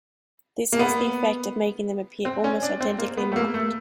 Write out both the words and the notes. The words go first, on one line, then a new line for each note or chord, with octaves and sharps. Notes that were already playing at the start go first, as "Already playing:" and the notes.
This has the effect of making them appear almost identically marked.
A#3
B3
C4
C#4
D4
C4
A#3
B3
A3
A#3
A3